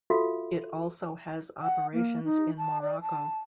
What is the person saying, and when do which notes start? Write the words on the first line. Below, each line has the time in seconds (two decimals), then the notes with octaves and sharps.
It also has operations in Morocco.
0.10 F4 F#4 A4 E5 F5 C6
1.62 F#5
1.93 A#3
2.24 D#4
2.58 A5
2.82 D5
3.02 A5